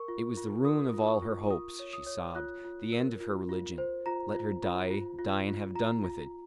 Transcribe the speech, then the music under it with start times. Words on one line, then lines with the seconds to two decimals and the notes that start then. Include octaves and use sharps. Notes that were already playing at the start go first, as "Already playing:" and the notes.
It was the ruin of all her hopes, she sobbed, the end of her religion. Let her die, die and have done with it!
Already playing: A#4 C#6
0.08 F4
0.37 F4
0.65 A#4 D#6
0.94 F4
1.07 C#6
1.22 F4
1.50 F4 D#6
1.79 C#5
1.93 D#6
2.07 C#5
2.35 F4 F#6
2.65 F4
2.92 A#4
3.20 F4
3.49 F4
3.78 C5
4.06 F4 A#5
4.34 F4
4.63 F4
4.90 F4
5.19 F4
5.48 F4
5.75 F4 A#5
6.04 F4